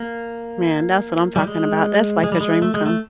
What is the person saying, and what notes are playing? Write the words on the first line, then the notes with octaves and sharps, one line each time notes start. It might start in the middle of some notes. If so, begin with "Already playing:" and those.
Man, that's what I'm talking about, that's like a dream come
Already playing: A#3
G3
G#3
G#3
G3
G#3
A3
G#3
A3